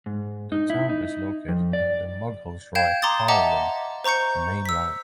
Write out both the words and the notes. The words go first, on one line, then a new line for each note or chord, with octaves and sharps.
The town is located in the Mughalsarai - Howrah main line.
G#2
D#4
E4
D#4
F2
D5
F5 G5 G6 G#6 E7
A#5 C6 D6 D#6 A6
D#5 E5 F#5 A5 A#5 D6
C5 A#5 C#6 G6 C#7
E6 B6